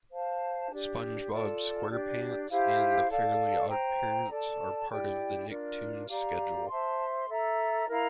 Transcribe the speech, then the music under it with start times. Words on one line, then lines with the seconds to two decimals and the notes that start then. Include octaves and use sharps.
"SpongeBob SquarePants" and "The Fairly OddParents" are part of the Nicktoons schedule.
0.10 C5 F5 A5
0.70 D4 G4 D5
1.29 F4 A4 D5 A5
1.89 D4 G4 D5
2.49 E4 G4 C5 F5
3.09 A4 D5 F5
3.68 C5 G5 A#5
4.28 A4 D5 A5
4.89 E4 G4 D5 G5
5.48 D4 F4 A#4 D5
6.08 G4 D5 F5 A#5
6.67 C5 E5 A5 C6
7.28 A4 E5 A#5
7.87 E4 A#4 F5 A#5